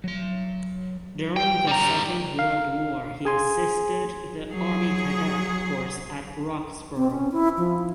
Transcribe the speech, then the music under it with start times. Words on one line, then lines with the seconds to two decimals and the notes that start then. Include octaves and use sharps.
During the Second World War he assisted the Army Cadet Force at Roxburgh.
0.04 F#3 C6
1.36 G5
1.67 G3 A#5
2.39 F5
3.25 G#4 G#5 C6
4.51 F#3 G#4
6.97 C4
7.11 C#4
7.32 E4
7.58 F3